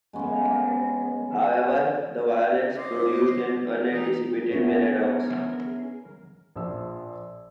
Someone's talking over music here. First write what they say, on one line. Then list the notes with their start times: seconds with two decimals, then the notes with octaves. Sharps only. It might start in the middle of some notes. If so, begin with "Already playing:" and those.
However, the violence produced an unanticipated paradox.
0.13 G#3 B3 C#4
2.78 C5 C#5 D#5 C6 D6
3.91 E3 C4 D#4
4.51 B3 C#4 D4 E4 C#5
6.56 A#1 F3 E6